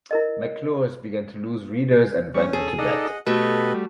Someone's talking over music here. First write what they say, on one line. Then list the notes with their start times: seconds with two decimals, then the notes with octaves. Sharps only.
"McClure's" began to lose readers and went into debt.
0.11 E4 A#4 D#5
2.34 G3 C#4 C#6
2.53 G#4 A4
2.78 D#4 A4 D5 D#5 F#5
3.26 B2 A3 F#4 G4 A4 B4 D#5
3.74 G3